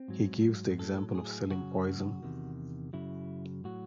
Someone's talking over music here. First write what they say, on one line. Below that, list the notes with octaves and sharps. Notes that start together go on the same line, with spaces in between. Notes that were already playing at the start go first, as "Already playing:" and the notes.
He gives the example of selling poison.
Already playing: C4
G#2 F#3
A2 F#3 A4
G#4
F#2 C#3 F#3 F#4
E2 C3 D#3
F#2 C#3 F#3 E4
A2 F#3 F#4